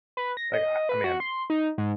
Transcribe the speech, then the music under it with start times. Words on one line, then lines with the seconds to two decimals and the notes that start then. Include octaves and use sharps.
like, I I mean,
0.17 B4
0.37 A#6
0.53 D#5
0.89 B4
1.04 F#4
1.20 C6
1.50 D#4
1.78 G#2